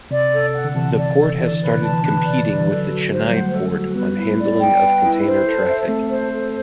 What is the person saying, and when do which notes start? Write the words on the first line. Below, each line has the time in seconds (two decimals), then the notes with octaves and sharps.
The port has started competing with the Chennai Port on handling of container traffic.
0.11 C3 D5
0.32 A4
0.54 F#5
0.64 D3
0.75 C3 E3 A5
0.97 D5
1.18 A4
1.39 E3 D5
1.52 D3
1.60 C3 B4
1.76 B2 D3
1.81 A5
1.93 E3
2.03 B2 D3 B4
2.24 D5
2.47 B4
2.60 E3
2.67 D3 F#3 A4
2.88 F#4
3.11 C5
3.25 G3
3.31 F#3 A3 F#5
3.52 A4
3.74 F#4
3.96 G3 B3 B4
4.17 E4
4.38 D5
4.60 G5
4.81 B4
5.03 E4
5.24 C5
5.45 A4
5.66 E5
5.87 A3 C4 A4
6.09 C5
6.31 A4